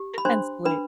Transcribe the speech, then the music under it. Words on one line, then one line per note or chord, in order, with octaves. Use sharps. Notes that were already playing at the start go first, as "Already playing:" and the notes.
"and sleep."
Already playing: G4
B5
D4 C5 C6
D4 B4 B5